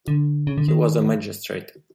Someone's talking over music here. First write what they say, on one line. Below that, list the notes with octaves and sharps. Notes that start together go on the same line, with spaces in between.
He was a magistrate.
D3
C#3
D3
D#3